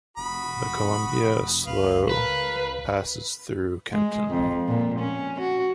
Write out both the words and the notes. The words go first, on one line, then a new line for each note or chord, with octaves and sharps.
The Columbia Slough passes through Kenton.
F1 F#4 B5 D#6
C#2 B4 F5
A#4 B4 F5
G#3
F2
A#2
C#4
F#4